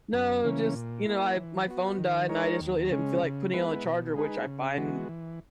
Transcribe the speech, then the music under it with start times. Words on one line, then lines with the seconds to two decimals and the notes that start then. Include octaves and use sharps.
"No, just, you know, I my phone died, and I just really didn't feel like putting it on a charger," which I find
0.12 F#2
0.44 C#3 E3 A#3 C#4
0.74 A#2
1.06 A#3 E4
1.36 E3
1.68 B3 F#4
1.98 D#3
2.29 G#3 D#4 A#4 C#5
2.60 D#2
2.91 C#3 G#3 C#4
3.23 C#3
3.54 G#3 B3 E4 B4
3.84 B2
4.15 G#3 D#4 G#4 B4
4.46 C#3
4.77 E3 G#3 B3 F#4
5.09 E3